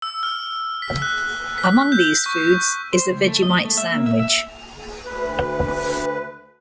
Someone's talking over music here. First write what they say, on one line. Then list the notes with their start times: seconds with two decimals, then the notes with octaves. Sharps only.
Among these foods is a Vegemite sandwich.
0.02 E6
0.23 F6
0.82 B6
1.02 F#6
1.58 B6
1.92 G6
2.26 C#6
2.93 C5
3.11 C#2
3.27 A3
3.42 D#5
3.65 A3
3.77 E5
3.92 A#3
4.06 E5
4.19 E5
5.06 D2 B4